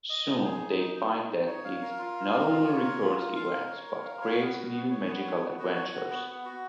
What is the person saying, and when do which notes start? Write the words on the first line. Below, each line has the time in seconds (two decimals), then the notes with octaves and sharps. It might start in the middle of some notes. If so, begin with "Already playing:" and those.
Soon they find that it not only records events, but creates new magical adventures.
0.10 D#5
0.27 D#4
0.44 G#4
0.62 D#4
0.79 D#4
0.96 D#4
1.13 D#4
1.30 D#4
1.47 C#5
1.65 F5
1.82 A#4
1.99 F4
2.16 F5
2.33 A#4
2.50 F4
2.67 C#5
2.84 A#4
3.02 F4
3.19 F4
3.36 F5
3.53 A#4
3.70 C#5
3.88 A#4
4.04 F5
4.22 C#5
4.39 B3
4.56 F#4
4.73 B3
4.90 C#5
5.07 B3
5.25 C#5
5.42 B3
5.59 F#4
5.76 C#5
5.94 F#4
6.10 B3
6.28 B3
6.45 F#4